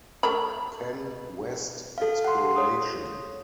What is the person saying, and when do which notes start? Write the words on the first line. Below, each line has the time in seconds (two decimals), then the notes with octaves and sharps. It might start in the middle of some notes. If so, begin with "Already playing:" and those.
Penn West Exploration.
0.23 A3 A#4 B5
1.98 A4 F5
2.24 F#5 C6
2.56 C#5 D#6